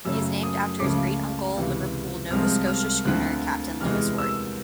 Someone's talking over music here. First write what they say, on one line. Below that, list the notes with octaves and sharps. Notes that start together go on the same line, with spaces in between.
He is named after his great uncle, Liverpool, Nova Scotia schooner captain Lewis Wharton.
F#2 C#3 F#3 A3 C#4 E6
D#6
C#2 C#3 F3 A3 C#4 D6
C#2 C3 E3
C2 C3 F3 G#3 C4 F6
F6
D2 D3 F3 A3 C4 F#6
E2 C3 E3 G#3 F6
E6